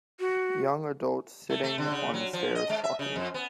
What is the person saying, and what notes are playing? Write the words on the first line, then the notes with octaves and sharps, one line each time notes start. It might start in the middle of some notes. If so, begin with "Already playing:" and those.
Young adults sitting on the stairs talking.
F#4
A3
A3
D3
C#3
F#3
F3
D#5
G#3
E5
C#3
F2
B3